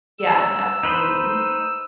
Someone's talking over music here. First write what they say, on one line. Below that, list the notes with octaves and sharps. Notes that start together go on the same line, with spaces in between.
Yeah, absolutely.
E6
D#4 B4 C5